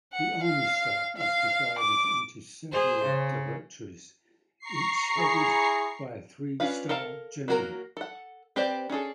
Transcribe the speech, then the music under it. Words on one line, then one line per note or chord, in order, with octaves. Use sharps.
The Army Staff is divided into several directorates, each headed by a three-star general.
F#5
F5
F5
D6
G#4 C5
C#3
A#5 C#6 C7
E4 G#4
C#4 D4 F4 B4 F5
A4 A#4 F5 A5
F#3 A#3 F#4 A4 A#4
A4 F#5
C4 G4 B4 C5 D5
C#4 D4 G#4 A4